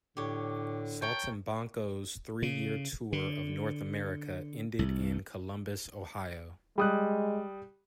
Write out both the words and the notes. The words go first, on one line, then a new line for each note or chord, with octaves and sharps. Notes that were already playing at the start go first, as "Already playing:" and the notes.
"Saltimbanco"'s three-year tour of North America ended in Columbus, Ohio.
A2 D3 G4 C#5
A#4 C#5 G5 A5
C#3
D3
C2
G3 G#3 D#6 F#6